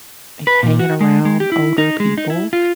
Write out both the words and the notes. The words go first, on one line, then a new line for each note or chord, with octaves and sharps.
like, hanging around older people,
B4
A#2
F#4
G#3
G#3
G4
E4
D#4
G#3
D#4
E4
F4